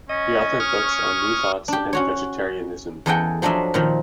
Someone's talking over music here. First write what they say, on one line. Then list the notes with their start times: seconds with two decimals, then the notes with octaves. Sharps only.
He authored books on new thought and vegetarianism.
0.09 C#4 D#5
0.60 C#6 D#6 F6
1.68 D4 G4
1.93 C#4 F#4 C#5
3.06 E2 G#4 A4 D#5 F#5 G5
3.42 F3 F#3 D4 D#5 E5 C6
3.74 A#2 D#3 F3